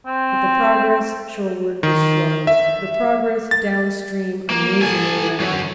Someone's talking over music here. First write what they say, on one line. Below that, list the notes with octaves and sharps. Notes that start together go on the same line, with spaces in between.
But the progress shoreward was slow; the progress down-stream amazingly rapid.
C4
D#3
E5
A6
A#3
A4 G#5
F#3 C#4